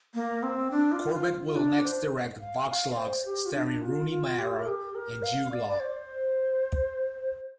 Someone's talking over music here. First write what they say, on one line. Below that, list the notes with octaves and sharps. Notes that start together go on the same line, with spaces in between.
Corbet will next direct "Vox Lux" starring Rooney Mara and Jude Law.
A#3
C4
D4
F4
F4
F4
D4
C5
F5
F5
D5
C5
G4
F4
D4
F4
F4
G4
A#4
G4
A#4
F5
D5
D5
C5